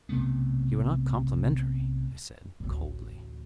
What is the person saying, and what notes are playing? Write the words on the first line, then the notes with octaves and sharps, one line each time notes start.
"You are not complimentary," I said coldly.
B1 C3 A3 B3
A1 D2